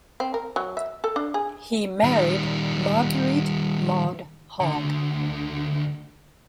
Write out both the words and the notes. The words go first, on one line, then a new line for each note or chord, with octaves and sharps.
He married Marguerite Maud Hogg.
C4
A#4
F#3
E5
A4
D4
G#4
D#3 G3
D2 D3